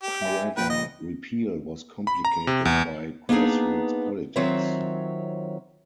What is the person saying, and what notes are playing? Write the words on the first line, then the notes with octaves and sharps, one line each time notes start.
However, repeal was complicated by grassroots politics.
G4
E5 G#5
A#2 F3 A#3 B4 G5
D#5
B5
A#5
C3
E2
A#3 B3 D4 D#4 G#4
D#3 F#3 C4 F4 C#5 E5